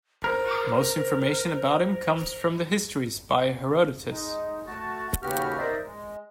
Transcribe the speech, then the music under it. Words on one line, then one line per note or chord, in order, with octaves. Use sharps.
Most information about him comes from "The Histories" by Herodotus.
A#4 C5
G#3 D#4
A3 F#4 A5
D#2 C#3 B3 F#4 G4 F6
D#4 A#4 C5 D5 E5
G#3